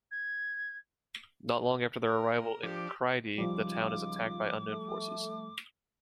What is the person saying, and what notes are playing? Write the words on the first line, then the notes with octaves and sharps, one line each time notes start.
Not long after their arrival in Crydee, the town is attacked by unknown forces.
G#6
A#4
F3 D4 G4
C#2 F3 G3 D#4 F4 D6
A3